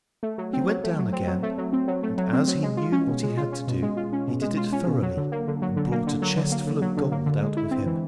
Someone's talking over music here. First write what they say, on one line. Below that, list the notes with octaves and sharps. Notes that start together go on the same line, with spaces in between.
He went down again, and as he knew what he had to do, he did it thoroughly, and brought a chest full of gold out with him.
A3
F#3
C4
F#3
A3
F#3
C4
F#3
A3
F#3
C4
F#3
A3
F#3
C4
F#3
G#3
F4
C#4
B2
G#3
F4
C#4
B2
G#3
F4
C#4
B2
G#3
F4
C#4
B2
F#3
D3
A#3
D3
F#3
D3
A#3
D3
F#3
D3
A#3
D3
F#3
D3
A#3
D3
G#3
E4
C4
E3